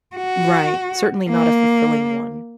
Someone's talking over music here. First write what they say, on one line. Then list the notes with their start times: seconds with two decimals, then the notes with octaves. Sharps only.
Right, certainly not a fulfilling one.
0.16 F#4
1.30 A#3